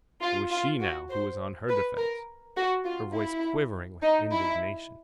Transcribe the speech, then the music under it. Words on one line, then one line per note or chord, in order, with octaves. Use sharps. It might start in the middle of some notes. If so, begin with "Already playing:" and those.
It was she now who was on her defence, her voice quivering with indignation.
F4
F4
F#4
C5
B4
A#4
F#4
F4
E4
D#4
E4